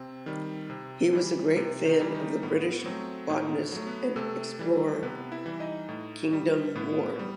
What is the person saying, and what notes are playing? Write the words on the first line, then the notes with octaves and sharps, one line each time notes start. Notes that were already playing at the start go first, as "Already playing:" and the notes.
He was a great fan of the British botanist and explorer Kingdon-Ward.
Already playing: C3 C4
D#3 G3
C3
E3 G3
C3
D#3 D#4
E3 G3
D#3 D#4
A2 B3
B3
F#3 A3 C4
A2 D#3 D#4
F#3 A3
B3 B4
C3 A3 A4
E3 G3
C3 B3 B4
E4 E5
E3 G3
D#4 D#5
A2
G3
A2 B3 B4
G3